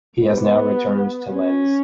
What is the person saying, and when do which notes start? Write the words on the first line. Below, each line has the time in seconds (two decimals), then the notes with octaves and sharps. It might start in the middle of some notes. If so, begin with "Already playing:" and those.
He has now returned to Lens.
0.22 B3
1.31 C#4